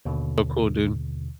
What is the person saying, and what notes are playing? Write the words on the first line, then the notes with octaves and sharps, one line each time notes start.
Oh, cool, dude.
D#2 B2 D3